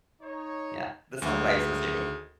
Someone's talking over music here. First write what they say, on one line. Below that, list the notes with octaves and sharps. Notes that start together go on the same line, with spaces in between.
yeah, the song that I associate with
D#4 C#5
D2 A2 D#3 G#4